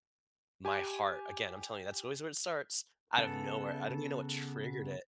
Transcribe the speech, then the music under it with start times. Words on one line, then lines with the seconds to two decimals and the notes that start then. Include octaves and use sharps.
my heart again, I'm telling you, that's always where it starts. Out of nowhere, I don't even know what triggered it, it
0.65 G4 G#5
3.18 C#3 B3 A4